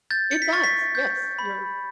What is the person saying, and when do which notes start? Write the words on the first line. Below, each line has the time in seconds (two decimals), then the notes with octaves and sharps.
It does, yes, you're
0.10 G6 A6
0.31 C#7
0.42 B6
0.53 C#6 A6
0.64 B6
0.95 G6
1.39 B5